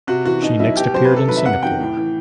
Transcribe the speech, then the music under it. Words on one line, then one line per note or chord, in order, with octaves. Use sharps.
She next appeared in Singapore.
C3 F#4
E3 F#4
B2 D#4
F#3 E4
B2 G4
F#3 C5
B4
C3
A4
D#3 F#3 B4
E5
C3 F#5
D#3 F#3 G5
A2
E3